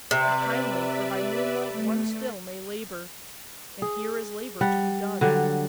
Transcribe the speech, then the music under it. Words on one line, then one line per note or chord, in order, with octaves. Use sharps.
Be kindly, for by moonlight one still may labor, and here is labor to be done.
C3 B4 D5 E5
A3
G#4
G3 F#5
D3 F#3 G3